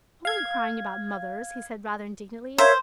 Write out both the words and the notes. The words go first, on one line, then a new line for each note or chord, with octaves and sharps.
"I wasn't crying about mothers," he said rather indignantly.
F5 G#6
A#4 C5 C#5 E5 F5